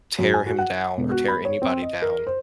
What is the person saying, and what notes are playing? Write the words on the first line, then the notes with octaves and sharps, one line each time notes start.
tear him down or tear anybody down
F#2
G#5
F#4
F#5
E1
F#4
B5
C#5
C4
D#5
A#4
C5